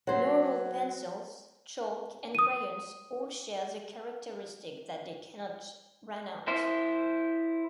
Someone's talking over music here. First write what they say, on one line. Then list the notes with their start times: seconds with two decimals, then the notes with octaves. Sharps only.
Normal pencils, chalk, and crayons all share the characteristic that they cannot "run out".
0.07 F#3 C5
2.35 D#6 D#7
6.48 E4 C5